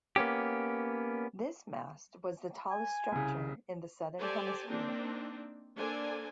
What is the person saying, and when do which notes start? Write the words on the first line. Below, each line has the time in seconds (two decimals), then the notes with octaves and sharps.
This mast was the tallest structure in the southern hemisphere.
0.16 A#3 B3 C#4 G4
2.71 G#5
3.12 C2 C#3
4.20 G4 A4 C5 D5 G#5 A5
4.68 A#3 C4 D4 D#4
5.77 A#3 D4 A4 C5 D5 G#5